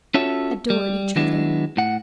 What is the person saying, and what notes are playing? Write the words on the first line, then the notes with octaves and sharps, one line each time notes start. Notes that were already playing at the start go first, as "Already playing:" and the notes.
Adore each other.
C#4 F4 F#4 A4 C#5 E5
G3
D#3 F#3 G#3 B3 D4 E4
A2 F#5